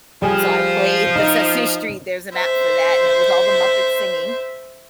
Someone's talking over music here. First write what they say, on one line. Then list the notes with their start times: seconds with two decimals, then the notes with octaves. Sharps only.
And, so I played the Sesame Street, There's an App for That, and it was all the Muppets singing
0.22 F3 G3 G#4
1.16 D#4
2.34 C5 E5